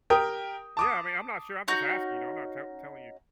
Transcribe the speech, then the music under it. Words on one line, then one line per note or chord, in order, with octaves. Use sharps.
Yeah, I mean, I'm not sure, I'm just asking, you know? I'm not tell telling you
G4 A#4 G5 D#6
A5 D6 D#6
C#4 D#4 F#4 G6